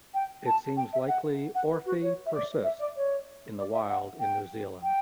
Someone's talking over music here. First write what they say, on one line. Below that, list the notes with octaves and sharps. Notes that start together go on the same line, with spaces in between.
It seems likely orfe persist in the wild in New Zealand.
G5
A5
G5
E5
F#5
F#5
B4
F#4
C#5
E5
D5
E5
D5
C#5
D5
E5
F#5
G5
G5